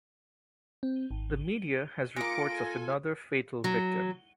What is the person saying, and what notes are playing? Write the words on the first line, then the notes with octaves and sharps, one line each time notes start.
The media has reports of another fatal victim.
C4
G#1
G#3 A#3 F4 D6 A#6 C#7 D7
A4 G#5
F#3